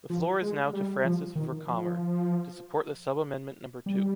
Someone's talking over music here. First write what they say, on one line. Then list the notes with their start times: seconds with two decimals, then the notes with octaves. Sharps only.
The floor is now to Francis Vercamer, to support the sub-amendment number two.
0.10 F3
0.42 G#3
0.73 G3
1.04 F3
1.36 D#3
1.67 F3
3.86 G3